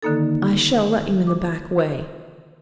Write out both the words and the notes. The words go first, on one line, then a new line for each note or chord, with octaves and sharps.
I shall let you in the back way.
D3 D#3 A#3 D#4 A4
D6